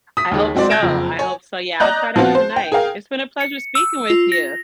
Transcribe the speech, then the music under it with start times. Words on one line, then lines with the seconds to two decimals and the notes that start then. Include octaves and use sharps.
I hope so I hope so. Yeah, I'll try that tonight. It's been a pleasure speaking with you.
0.17 D#6 B6
0.31 D#2 D#3 G#4
0.55 F#3 G#3 C4 F#4 D5
0.70 G6 G#6 A#6 D7 E7
0.82 F#1 F2
1.19 C#5 G#5
1.80 D5 D#5 A#5 F#6 G6
2.16 F3 B3 C4 F4 F#4
2.35 C5
2.56 G5
2.72 G#4 A#4 F5 G5
3.41 C#7
3.75 E6
4.10 F4
4.32 A#6